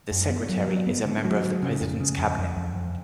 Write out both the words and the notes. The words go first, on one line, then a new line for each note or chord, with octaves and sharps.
The Secretary is a member of the President's Cabinet.
F#2
B3
F#3
F#3
B3
D3
F#3
F#3
C#3
F2
C#3
F2
F2
F2
F2